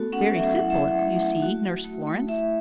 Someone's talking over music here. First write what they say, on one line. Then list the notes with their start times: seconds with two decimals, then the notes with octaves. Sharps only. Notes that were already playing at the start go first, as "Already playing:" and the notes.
Very simple, you see, Nurse Florence!
Already playing: A3 B3 F#4 A4
0.12 C#4 F#5
0.34 F#3 E5
0.55 E4 F#5
0.70 E5
0.78 E4
0.98 A3
1.20 A3
1.42 F#4
1.64 F#4
1.84 A3
2.07 A3
2.28 E4 E5